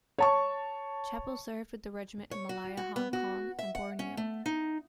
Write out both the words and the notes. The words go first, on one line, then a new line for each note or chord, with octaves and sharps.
Chapple served with the regiment in Malaya, Hong Kong and Borneo.
C#5 A5 C#6
C#5
F#4
F#4
B3
F#4
E5
F#5
C#4
A3
D#4